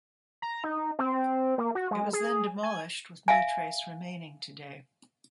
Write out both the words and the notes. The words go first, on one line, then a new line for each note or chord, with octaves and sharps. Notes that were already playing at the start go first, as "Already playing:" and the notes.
It was then demolished, with no trace remaining today.
A#5
D#4
C4
A#3
F#4
G#3
G#4
G#5
E5 F5 G#5